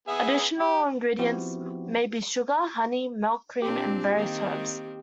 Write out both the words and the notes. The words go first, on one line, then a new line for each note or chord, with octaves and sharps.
Additional ingredients may be sugar, honey, milk, cream, and various herbs.
B3 G#4 E5
G4
F3 B3 C4 E4 F#4 G4
A#2 C4 D4 G4
D#3 A#3 C4